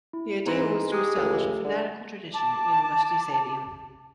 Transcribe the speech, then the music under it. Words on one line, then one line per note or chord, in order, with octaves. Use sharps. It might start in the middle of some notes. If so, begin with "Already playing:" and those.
The idea was to establish a fanatical tradition at University Stadium.
E4
G#2 E3 D#4 C6 A#6
G#3 G4 D#6
C#2 A3 G4 A4
D3
A5 D6